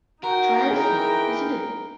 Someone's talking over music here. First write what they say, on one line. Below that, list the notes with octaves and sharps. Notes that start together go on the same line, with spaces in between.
Dreadful isn’t it?
D#4 F#4 A#4 G5
E3 G#4